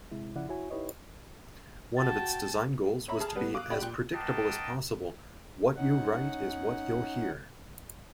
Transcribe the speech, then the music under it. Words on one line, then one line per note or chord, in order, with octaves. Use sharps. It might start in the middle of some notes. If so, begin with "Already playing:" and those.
One of its design goals was to be as predictable as possible: 'what-you-write-is-what-you'll-hear'.
C3 G#3 E4
C#2 C#3 F3 E4 D5 F#5
E4 F#4 C#5 G#5
D#4 E4 G4 B4 C#5 D#5
F#4 G5 A5 A6
C#5 E5 A#5 B5
G#4 A5 F6
G3 B3 B4
F5 D6 D#6 F#6
F#4 G4 D5 B5
A#2 G5
A#3 B3 D#5 G5 A5
C#4 D#4 F#5